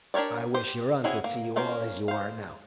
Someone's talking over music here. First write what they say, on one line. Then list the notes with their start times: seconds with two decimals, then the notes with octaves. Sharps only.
I wish your aunt could see you all as you are now.
0.14 D4 G4 A#4 C#5 D5
0.54 G4 C5
1.04 C4 C#4 E4 F#4 G#4
1.24 A#3
1.56 A#3 C#4 F4 A#4 C5
2.08 C5 F5